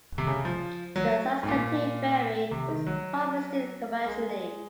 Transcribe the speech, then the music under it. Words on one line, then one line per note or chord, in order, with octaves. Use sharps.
The saskatoon berry is harvested commercially.
C3
C#3
F3
F#3
G#2
A#2
C3
D#3
F#3
G#3